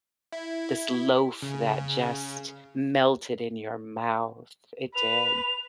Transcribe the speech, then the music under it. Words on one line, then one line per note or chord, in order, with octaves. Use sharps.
this loaf that just melted in your mouth, it did.
E4
C#3
B4 F7